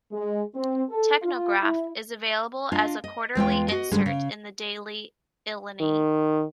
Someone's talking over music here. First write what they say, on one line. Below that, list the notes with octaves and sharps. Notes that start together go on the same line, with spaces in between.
"Technograph" is available as a quarterly insert in the "Daily Illini".
G#3
C4
A4
F4
E4
D4 F4 D#5
D#5
E2 G#3 F4 G5
F#4 D#5
G#2 D3 G3 G#3
C#3
D#3